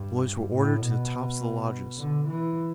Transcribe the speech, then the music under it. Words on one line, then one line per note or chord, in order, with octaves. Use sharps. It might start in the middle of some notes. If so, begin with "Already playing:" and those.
The boys were ordered to the tops of the lodges.
Already playing: G2
A2
B2
D3
E3